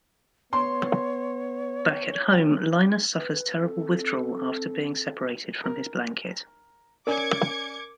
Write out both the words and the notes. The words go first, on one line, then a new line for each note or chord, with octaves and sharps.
Back at home, Linus suffers terrible withdrawal after being separated from his blanket.
B3 C#5 C6
B4
C4 A4
A#4
C#4 A#4 D5 G#5 D6 G#6 C#7